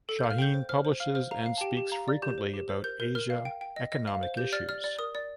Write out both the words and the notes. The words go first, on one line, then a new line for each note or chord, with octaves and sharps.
Shaheen publishes and speaks frequently about Asia economic issues.
A4
F5 G6
F6
G5 G6
C5
C5 F6
C5
F5 F6
C5 F6
F5 A#5
F5
A5
G4 G5
G4
F5 A#5
D5
G4 G6
C5
G4
C5
A#4 G6
A#4 G6
A#4 F6
F5
G5
G5
D#5
D#5
F5
C5
G4 G6
D5 F6
D5 F6
D5
A#4 D#6
D5